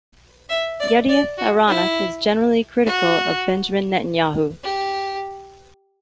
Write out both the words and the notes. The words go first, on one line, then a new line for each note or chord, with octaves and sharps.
"Yedioth Ahronoth" is generally critical of Benjamin Netanyahu.
E5
D5
D5
F#4
E4
F#4
G4